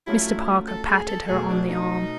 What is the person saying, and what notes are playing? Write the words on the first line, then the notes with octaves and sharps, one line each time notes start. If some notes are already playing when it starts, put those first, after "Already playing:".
Mr. Parker patted her on the arm.
F#3 A3 C#4 E4 F4
A4
G#4
A4
B2 F#3 A3 G#4
D4
D#4